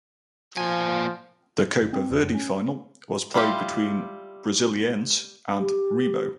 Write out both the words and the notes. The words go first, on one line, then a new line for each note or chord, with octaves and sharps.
The Copa Verde final was played between Brasiliense and Remo.
A#2 F3 G#5
G1
C4
E2
F#2
C#4
G3 E4 F4 G4
G4